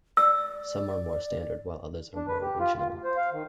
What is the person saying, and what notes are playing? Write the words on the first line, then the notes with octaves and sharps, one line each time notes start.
Some are more standard, while others are more regional.
D5 E6
D4
B4
G4
F4
F4
D2
C5
F5
D#3